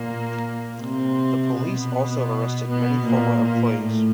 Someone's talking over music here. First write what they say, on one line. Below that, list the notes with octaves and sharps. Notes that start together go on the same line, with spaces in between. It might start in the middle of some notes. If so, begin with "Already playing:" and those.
The police also arrested many former employees.
Already playing: A#2 A#3
C3 C4
B2 B3
B2 B3
A#2 A#3
A#2 A#3
A2 A3